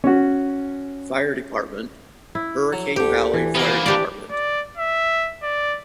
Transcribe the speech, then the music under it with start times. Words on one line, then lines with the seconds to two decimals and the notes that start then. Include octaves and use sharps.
Fire Department; Hurricane Valley Fire Department.
0.04 C#4 F#4
2.35 E4
2.73 F#3
2.96 D2 D3 G4
3.34 E3
3.55 C3 A#3 B3 F#4
3.86 D4 G4 D5
4.31 D5
4.78 E5
5.43 D5